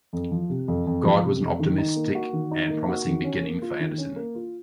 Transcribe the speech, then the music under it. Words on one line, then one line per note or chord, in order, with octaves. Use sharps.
God was an optimistic and promising beginning for Andersen.
F2
F3
C3
F2
F2
F3
C3
F2
D#3
D#4
A#3
F#4
D#3
D#4
A#3
F#4
D#3
C#4
A#3
F4
D#3
C#4
A#3
F4